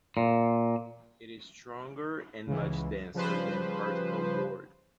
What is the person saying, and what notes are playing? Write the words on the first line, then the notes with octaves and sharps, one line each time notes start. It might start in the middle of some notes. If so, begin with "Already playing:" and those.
It is stronger and much denser than particle board.
A#2
C#2 C#3 E3
C#3 F3 G3 B4 C5